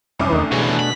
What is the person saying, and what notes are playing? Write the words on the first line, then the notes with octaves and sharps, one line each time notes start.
Oh okay.
C2 F#2 C#4 D6
E2 A3 D4
B2 E3 C#4 G#4
B5